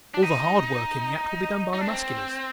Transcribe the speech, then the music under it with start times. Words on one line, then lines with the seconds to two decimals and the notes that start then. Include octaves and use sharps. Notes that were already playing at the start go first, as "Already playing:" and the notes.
All the hard work in the act will be done by Musculars.
0.14 D4
0.23 D#4
1.73 D#4
1.81 D4
1.88 C4